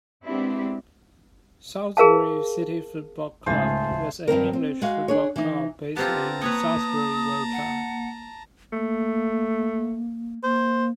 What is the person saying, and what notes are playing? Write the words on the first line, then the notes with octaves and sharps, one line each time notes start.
Salisbury City Football Club was an English football club based in Salisbury, Wiltshire.
G#3 B3 C4 D4 E4 G4
G#4 A#4 F5 A5
C#2 G#2 A3 F4 G#4 C5 E5 A5
G2 D#3 C4 A#4
C4
G#3 F#4 F5
D4 G#4 C#5
E3 D#4
B3 C4 F4 G4 A5 A#5
A#3 B4 C#5 G#5 D#6
F#5
A3 A#3
A#3 C5